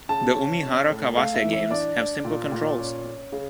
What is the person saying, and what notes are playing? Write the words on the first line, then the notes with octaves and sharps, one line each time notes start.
The Umihara Kawase games have simple controls.
C#3 A5
C#4
C#4
A2
A3 F5
E5
E3
E5
D4 D5
D4
A#2
A#2
C#4
C#4
C#3